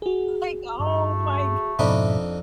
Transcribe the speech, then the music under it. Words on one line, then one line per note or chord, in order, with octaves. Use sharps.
like, oh my g
F#4 G#4
G2 A3
F2 G#2 B2 D4 D#4 E5 B5